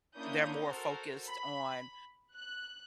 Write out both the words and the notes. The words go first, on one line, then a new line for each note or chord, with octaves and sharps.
they're more focused on,
A#3 C#4 D4 E4 D#6 G6
F#4 A4 A#4 C5
B5
F#6